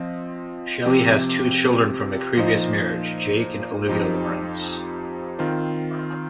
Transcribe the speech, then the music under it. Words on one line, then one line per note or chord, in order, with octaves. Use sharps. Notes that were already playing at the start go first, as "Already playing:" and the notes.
Shelley has two children from a previous marriage, Jake and Olivia Lawrence.
Already playing: F3 C4 D#5
C3 F3 C4 G4
A#2 F3 D#4 C5 D#5
F2 F3 D#4 G4 C5
D#3 C4 F4 C5